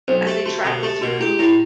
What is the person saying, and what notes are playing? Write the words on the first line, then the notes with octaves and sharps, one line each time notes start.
as they travel through
B1 C5
A3 G4
A3 F#4
B2 A4
A3 G4
B2 F#4
E4 G4
A2 E4